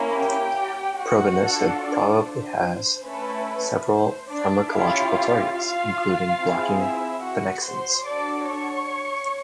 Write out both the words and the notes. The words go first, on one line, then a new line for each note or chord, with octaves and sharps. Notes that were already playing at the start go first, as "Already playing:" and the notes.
Probenecid probably has several pharmacological targets, including blocking pannexins.
Already playing: A#3 C#4 E4
G4 G5
F#4 F#5
D4 F4 A4
D4 D5
C5
A3 C#4 E4 A4 B4
C5
D4 D5
C#4 E4 F4 G4 F5
F4 F5
C4 E4 G#4
E4 E5
F#4 F#5
C5 C6
D4 F#4 A4 D5 D6
C#5 C#6